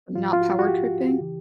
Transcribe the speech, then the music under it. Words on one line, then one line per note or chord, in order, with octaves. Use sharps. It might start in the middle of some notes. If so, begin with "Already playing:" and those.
not power tripping?
G#2 F3 F4
F4
F#4
F#4
G4
C#3 E3